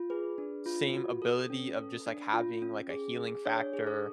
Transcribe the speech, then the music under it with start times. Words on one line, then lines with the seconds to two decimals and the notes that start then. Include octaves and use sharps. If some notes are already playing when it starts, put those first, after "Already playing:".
same ability of just, like, having, like, a healing factor
Already playing: F4
0.10 G#4 B4
0.38 D4
0.66 F4
0.94 F#4
1.22 A4
1.50 C#4
1.78 A4
2.06 D4
2.33 F4
2.62 C#4
2.90 G#4
3.18 G#4
3.46 D4 C#5
3.73 G#4
3.87 A4